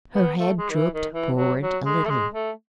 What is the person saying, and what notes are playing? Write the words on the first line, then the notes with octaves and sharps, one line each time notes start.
Her head drooped forward a little.
B3
A3
G#3
D#3
E3
D#3
E3
F#3
F#3
G#3
A3
G#3
A3